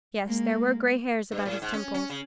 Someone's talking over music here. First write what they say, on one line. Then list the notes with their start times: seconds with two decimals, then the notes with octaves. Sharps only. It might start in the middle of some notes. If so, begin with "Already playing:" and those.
Yes, there were gray hairs about his temples.
0.24 G#3 A#3
1.32 G2
1.45 A2
1.62 G#2
1.73 C#4
1.94 C#4
2.10 C#3